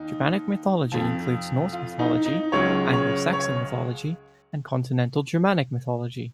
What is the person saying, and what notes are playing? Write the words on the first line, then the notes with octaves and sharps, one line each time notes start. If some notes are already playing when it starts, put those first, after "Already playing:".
Germanic mythology includes Norse mythology, Anglo-Saxon mythology, and Continental Germanic mythology.
Already playing: D#2 D#4
F2 F3
F4
D#4
D#4
C#2 C#3 F#3 C#5
C#5
C#5